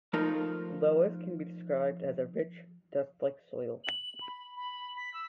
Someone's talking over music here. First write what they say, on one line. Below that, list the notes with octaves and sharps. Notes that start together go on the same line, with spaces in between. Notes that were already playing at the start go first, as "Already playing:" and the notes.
Loess can be described as a rich, dust-like soil.
F3 A3 D#4 F4 A#4 A5
F#7
B5
B5
B6
E6